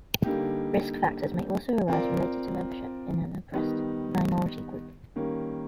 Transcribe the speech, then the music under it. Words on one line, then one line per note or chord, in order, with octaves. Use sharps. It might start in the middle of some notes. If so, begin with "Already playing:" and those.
Risk factors may also arise related to membership in an oppressed minority group.
D3 G3 A#3 D#4 G4
C4 F4 A#4 D5
D#3 G3 B3 D#4
D#3 G3 A#3 C#4